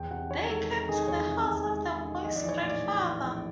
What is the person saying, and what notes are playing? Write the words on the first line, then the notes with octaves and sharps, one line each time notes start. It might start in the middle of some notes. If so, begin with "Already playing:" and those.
They came to the house of the boy's grandfather.
Already playing: E2 G5
C3 F#5
D#3 C#5
G#3 A4
C3
D#3 G#4
E2 C#5
C3
E2
G#3
G#3
D#3
A#1 D#5
D5
E3 C#5
A2 D5
A2
E3
A#1